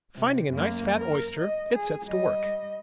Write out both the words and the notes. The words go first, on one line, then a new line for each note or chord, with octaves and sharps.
Finding a nice fat oyster, it sets to work.
C3
F#2 A#3
A#4
D#5
G#4
G3 D#5